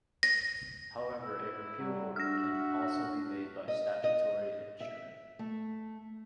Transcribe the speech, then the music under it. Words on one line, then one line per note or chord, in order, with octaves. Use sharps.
However a repeal order can also be made by statutory instrument.
A#6
E4
F#3 G3
D4 F#4 E5 F6 A#6
D#5
D#5
E5
A3